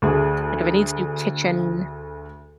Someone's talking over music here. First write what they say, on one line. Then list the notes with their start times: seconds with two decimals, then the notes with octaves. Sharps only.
Like, if it needs new kitchen
0.02 D2 G#4